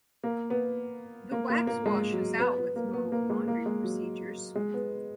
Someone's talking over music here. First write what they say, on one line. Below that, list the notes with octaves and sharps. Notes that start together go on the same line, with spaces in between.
The wax washes out with normal laundry procedures.
A#3
B3
A#3
A#3
A#3
G#3
F#3
B3
B3
A#3
B3
A#3
G#3
A#3
G#3
F#3
G#3
B3